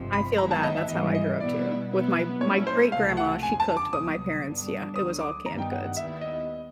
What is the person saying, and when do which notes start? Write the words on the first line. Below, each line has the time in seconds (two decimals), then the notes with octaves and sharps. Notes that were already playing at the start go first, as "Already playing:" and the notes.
I feel that, that's how I grew up too, with my my great grandma, she cooked, but my parents yeah, it was all canned goods.
Already playing: G1 F2 C3 F3
0.13 B5
0.38 G#2 D#3 F#3 B3 E4 A#5
0.51 A5
0.63 D#5
0.77 E5
0.88 G#2 E3 G3 D#5
1.15 D#5
1.40 B2 G3 B3 E4 D5
1.91 B2 F#3 B3 E4
2.41 A#2 F#3 A3 C#4 E4 C#5
2.67 C5
2.91 C#2 C3 E3 A3 F5
3.17 F#5
3.43 F2 D3 F3 G#5
3.60 A5
3.77 D6
3.93 C2 A#2 F#3 B3 D#6
4.44 G2 D3 G3 B3 D4
4.95 D2 D3 F#3 D#6
5.21 D6
5.46 G2 D#3 G3 B3 D#4 A#5
5.58 G5
5.71 F#5
5.84 F#5
5.96 D#2 D#3 G3 B3 E4 E5
6.21 D#5